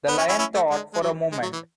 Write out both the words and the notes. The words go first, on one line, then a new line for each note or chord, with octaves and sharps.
The Lion thought for a moment.
B3
C#4
C#4 E4
C#4 E4
A3
G#3
G#3
F#3
G#3
F#3
E3